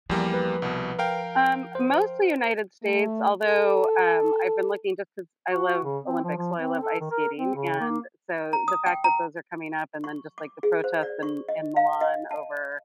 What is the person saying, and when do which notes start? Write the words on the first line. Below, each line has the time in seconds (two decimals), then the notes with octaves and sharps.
Um, mostly United States, although, um, I've been looking just 'cause I love Olympics, well, I love ice skating, and, so, the fact that those are coming up, and then just, like, the protests in in Milan over
0.10 E2 F3 G3 A#3
0.34 B4
0.62 C2 B2
0.99 A#4 F5 G5
1.75 C5
2.83 A3
3.44 A4
5.49 F#4
5.84 C#3
6.04 C4
6.23 F3
6.37 F3
6.58 C4
6.82 A4
7.00 D#3
7.11 A#4
7.36 C4
7.55 C#3
7.80 A#3
8.53 A#5
8.68 D#6
8.86 G5
9.04 A#5
10.04 C#6
10.38 D6
10.63 G#4
10.84 C5
11.03 D5
11.23 C#6
11.49 D#5
11.76 F5
12.01 D#5
12.31 A5